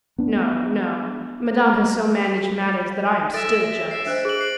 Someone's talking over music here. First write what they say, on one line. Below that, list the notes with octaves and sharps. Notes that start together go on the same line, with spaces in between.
"No, no. Madame has so managed matters, that I am still jealous."
B3 D4
A4 E5 A6 A#6 D7
E5 C7
D4 C5 D#5 F#6
G#4 D7 F#7
C7